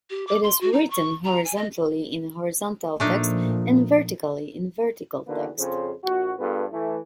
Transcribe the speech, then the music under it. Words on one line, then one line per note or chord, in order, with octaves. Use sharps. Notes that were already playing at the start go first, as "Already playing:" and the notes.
It is written horizontally in horizontal text and vertically in vertical text.
G4
D6
C6
F#4
D#4
C#6
A#5
G#5
D#5
A#2 F3 A3 D4 D#4
E2 D3 D#3 A#3 F#4 B4
F2 C#3 C5
A#1 F#4
G2 B3 F4 G#4 A4 B4
E3 A3